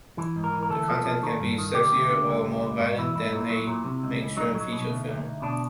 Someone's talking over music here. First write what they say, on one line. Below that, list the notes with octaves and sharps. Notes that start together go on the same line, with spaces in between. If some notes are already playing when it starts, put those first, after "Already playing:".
The content can be sexier or more violent than a mainstream feature film.
E3
G#2
A#4
E3
A#4
D2 A4
F3
F3
D#3
G2
D#3
D2 G4
D2
D3
C#2
C#2
C#2
G#2 F#4
E3 E4
G#2 E4
A#2
F#3
A#2
C3
C#2
C#2
F#3 D#4
F#3
B2
D2
D2
D2
B2 D4